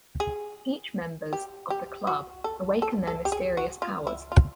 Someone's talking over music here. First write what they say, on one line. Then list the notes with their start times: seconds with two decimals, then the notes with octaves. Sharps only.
Each members of the club awaken their mysterious powers.
0.20 G#4
1.33 G4
1.70 G4
2.07 F#4
2.44 A4
2.82 A4
3.07 A4
3.25 G4
3.32 G#4
3.57 F#4
3.82 F4
4.07 E4
4.32 F4